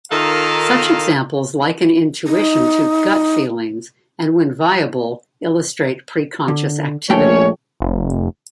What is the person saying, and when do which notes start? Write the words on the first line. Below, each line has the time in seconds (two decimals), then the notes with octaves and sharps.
Such examples liken intuition to "gut feelings" and when viable illustrate preconscious activity.
0.12 D#3 D#4 F4 A4 A#4 F5
2.27 D#4
6.48 D3
7.10 A#1 A3 C#4 C#5 G5
7.80 F1